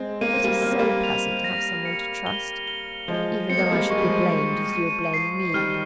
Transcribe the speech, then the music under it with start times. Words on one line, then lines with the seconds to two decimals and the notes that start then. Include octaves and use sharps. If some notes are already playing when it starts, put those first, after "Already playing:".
It is so pleasant to have some one to trust, even though I should be blamed as you are blaming me.
Already playing: G#3 C4
0.21 A#3 D#7
0.33 C4
0.44 G3 A#3
0.62 A#3 F6
0.71 C4
0.79 G3 A#3
1.04 F7
1.44 A#6
1.85 C#7
2.26 G7
2.68 G7
3.08 F3 G#3 G7
3.50 C4 C#7
3.58 A#3
3.65 G#3
3.72 G3 A#3
3.90 G#3 C#6
3.98 G3
4.05 F3 G#3
4.32 C#6
4.72 D#7
5.14 C7
5.54 D#3 G3 F6